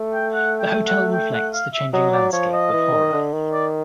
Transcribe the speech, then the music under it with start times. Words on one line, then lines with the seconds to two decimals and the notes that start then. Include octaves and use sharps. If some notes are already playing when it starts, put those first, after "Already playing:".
The hotel reflects the changing landscape of Howrah.
Already playing: A3
0.13 G5
0.34 F#5
0.60 G5
0.86 F#5
1.13 G5
1.33 F#5
1.53 F5
1.74 E5
1.93 F#3 D#5
2.12 D5
2.33 F3 C#5
2.53 D#5
2.73 E3
2.93 D#3
3.13 D3
3.33 D#3
3.53 D5